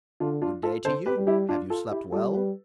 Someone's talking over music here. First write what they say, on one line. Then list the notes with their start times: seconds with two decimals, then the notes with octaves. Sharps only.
"Good-day to you; have you slept well?"
0.20 D3 D4 F4
0.42 D4 F4
0.63 F4 A4
0.85 D3 A4 C5
1.06 G4 B4
1.17 G3
1.27 E4 G4
1.49 D4 F4
1.70 F4 A4
1.91 E4 G4
2.12 G3 F4 A4
2.34 G4 B4